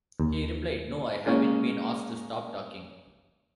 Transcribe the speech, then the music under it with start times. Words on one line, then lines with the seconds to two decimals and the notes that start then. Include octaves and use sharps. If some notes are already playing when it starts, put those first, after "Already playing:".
He replied: No, I haven't been asked to stop talking.
0.20 D#2
1.26 G#3 A#3 C#4